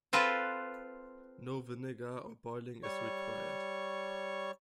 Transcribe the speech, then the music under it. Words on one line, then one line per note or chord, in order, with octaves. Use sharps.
No vinegar or boiling is required.
C4 F4 A4 B4
G3 C#5 C#6